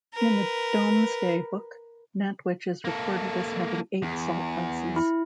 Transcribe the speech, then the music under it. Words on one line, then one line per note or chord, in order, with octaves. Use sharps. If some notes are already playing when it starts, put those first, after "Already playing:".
In the Domesday Book, Nantwich is recorded as having eight salt houses.
A#4 B4
A#3 A4
E2
E4